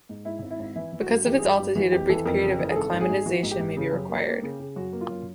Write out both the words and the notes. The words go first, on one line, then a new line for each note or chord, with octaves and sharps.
Because of its altitude, a brief period of acclimatization may be required.
G#2
G#2 E4
G#1
E4
G#1
E3 E4
E3
F#4
G2
E3 G4
G2 G#4
G4
G2
E3 F#4
F2 G4
E3 A4
F2 A#4
C#3
E3
G#4
G#1 A4
G#1
G#4
G#2
E3 F#4
G#2
G4
G#2
C#3
F#2
A#3
A#3
C#3
C#3
F#2 F#4
A#3
F4
F#2